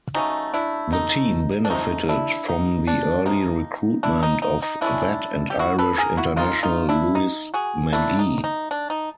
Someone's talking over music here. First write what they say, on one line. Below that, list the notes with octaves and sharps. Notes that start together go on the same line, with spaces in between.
The team benefited from the early recruitment of vet and Irish international Louis Magee.
C#3 F#3 A3 C#4 D#4
D4 E4
D#4
D4
C3 F3 A3 D#4
D4 E4
D#4
D4
C3 F3 A#3 D#4
D4 E4
D#4
D#4
D#4
B2 G#3 C#4 D4 E4
G4
E4 F#4
A4 B4
G#4 A#4
E4 F#4
C#3 F#3 A#3 D#4 F4
D#4 F4
D4 E4
D#4
F#4 G#4
D#3 F#3 A3 D4 E4
D#4
D#4
D4
D#4